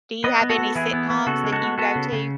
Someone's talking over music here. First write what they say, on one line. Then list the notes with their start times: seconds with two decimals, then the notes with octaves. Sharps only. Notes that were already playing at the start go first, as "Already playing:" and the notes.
Do you have any sitcoms that you go to?
0.24 B3 B4 D#5
0.41 B3
0.50 F#4 A4
0.58 B3
0.75 E3 E4 G#4
0.93 B3
1.10 B3
1.27 C#3 F#4 A4
1.44 G#3
1.52 F#4 A4
1.61 B3
1.78 B3 F#4 A4
1.95 C#3
2.12 C#3